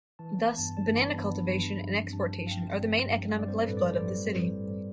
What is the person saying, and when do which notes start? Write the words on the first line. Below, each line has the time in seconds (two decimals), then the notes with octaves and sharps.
Thus, banana cultivation and exportation are the main economic lifeblood of the city.
0.19 E3 A5
0.39 B3
0.58 G2 A5
0.77 G2 A5
0.96 E3 B5
1.16 B3
1.35 G2
1.54 G2
1.74 F3
1.94 C4
2.13 G2 A5
2.32 G2
2.47 F5
2.51 F3 G5
2.71 C4
2.90 G2
3.10 G2
3.29 G3 F5
3.39 D5
3.48 C4 C5
3.58 A4
3.67 A2 B4
3.77 D5
3.86 A2 C5
3.97 D5
4.07 G3
4.26 C4
4.45 A2
4.65 A2